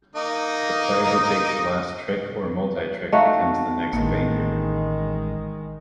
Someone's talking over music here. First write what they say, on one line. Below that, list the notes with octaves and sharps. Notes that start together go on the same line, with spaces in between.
The player who takes the last trick or multi-trick becomes the next banker.
A#3 D#4 D#5
A3 D#4 F#4 D#5 F5
A1 D#3 G#3 A#3